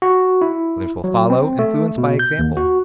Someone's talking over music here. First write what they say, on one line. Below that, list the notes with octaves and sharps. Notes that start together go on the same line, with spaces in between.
Others will follow, influenced by example.
F#4
E4
F#3
C4
A3
B2
G6
D#2
F#4